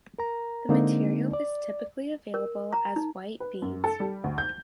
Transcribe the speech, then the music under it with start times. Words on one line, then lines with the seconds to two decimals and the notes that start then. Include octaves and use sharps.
The material is typically available as white beads.
0.19 A#4 A#5
0.69 D3 G#3 A#3 C4 D#4
1.33 D5
2.34 A#4
2.73 A#5
2.96 D#4
3.40 B4
3.62 F#2
3.84 A4
4.00 G3
4.24 D2
4.38 G6